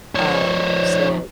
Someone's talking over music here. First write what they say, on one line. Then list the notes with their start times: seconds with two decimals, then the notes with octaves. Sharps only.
Um, so,
0.15 F3 D#4 C5 C#5